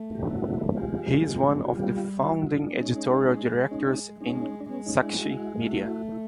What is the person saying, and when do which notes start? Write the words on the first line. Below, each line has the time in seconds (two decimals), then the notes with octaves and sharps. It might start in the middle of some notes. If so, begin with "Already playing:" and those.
He is one of the founding editorial directors in Sakshi Media.
Already playing: A3
0.14 G4
0.27 E4 F#4
0.76 G#3 F4 G4
1.65 F#4
1.75 G3 F4 G4
2.23 E4 F#4
2.40 E4 F#4
2.57 D#4 F4
2.65 D4
2.73 G#3 C#4 D#4
3.71 C#4 D#4
3.81 D4
3.88 C#4 D#4
4.21 G#3 C#4 D#4
4.60 D4
4.70 G#3 B3 C#4
4.86 C#4 D#4
5.02 D4 E4
5.19 E4 F#4
5.61 F4
5.68 A3 E4 F#4
6.12 E4